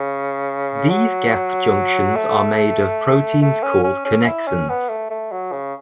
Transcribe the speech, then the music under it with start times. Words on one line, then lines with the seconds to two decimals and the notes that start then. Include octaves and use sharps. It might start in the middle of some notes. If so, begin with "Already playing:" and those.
These gap junctions are made of proteins called connexins.
Already playing: C#3
0.90 F#3
2.16 A3
3.42 A3
3.63 C#4
3.84 C#4
4.05 C#4
4.26 E4
4.47 C#4
4.69 B3
4.89 A3
5.10 A3
5.32 F#3
5.52 C#3